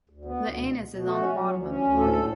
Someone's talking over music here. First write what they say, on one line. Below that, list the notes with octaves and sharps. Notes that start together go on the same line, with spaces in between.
The anus is on the bottom of a body.
D2
B3
D2
B2
B2
B2
A3 F#4
C#4
F#3
D2
C#4
D2
A2 A4
A2